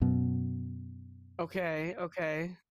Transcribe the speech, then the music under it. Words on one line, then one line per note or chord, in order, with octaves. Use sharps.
Okay, okay.
F#2 B2